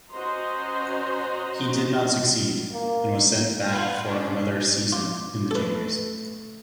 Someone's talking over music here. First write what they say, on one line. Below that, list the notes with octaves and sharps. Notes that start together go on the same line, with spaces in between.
He did not succeed and was sent back for another season in the juniors.
C#4 F#4 C5 D#5 A#5 C6
A#3
F4 B4 F#5 C6 G#6
C#4 D4
F4 D6
A3 A4 B4